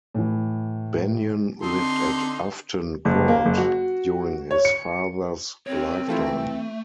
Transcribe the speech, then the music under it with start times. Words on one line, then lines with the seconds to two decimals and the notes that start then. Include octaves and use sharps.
Benyon lived at Ufton Court during his father's lifetime.
0.14 A2 E3
1.62 D3 C4 D#4 A4 C6
3.05 F#1
3.28 A#3
3.45 F#1
3.57 F#4
4.51 C#5
4.65 C#7
5.67 C4 A#4 C#5
6.09 E3 A3 E4 F4 A4